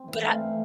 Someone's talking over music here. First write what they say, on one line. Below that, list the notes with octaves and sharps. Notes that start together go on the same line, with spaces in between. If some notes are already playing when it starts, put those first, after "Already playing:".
but, ah
Already playing: C4
E3
A3 F5
C4